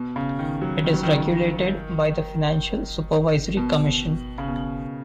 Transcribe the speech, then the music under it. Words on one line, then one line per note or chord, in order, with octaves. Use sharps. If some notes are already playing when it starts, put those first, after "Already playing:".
It is regulated by the Financial Supervisory Commission.
Already playing: B2
C#3
D#3
F#3
D#3
F#3
D#3
B2
C#3
B2